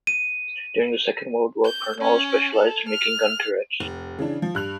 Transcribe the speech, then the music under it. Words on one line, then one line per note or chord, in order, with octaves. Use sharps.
During the Second World War, Parnall specialised in making gun turrets.
D#7
G6
C#4
A4
F6
F1
C#3 E3 D4
F3
G2 F#6 F7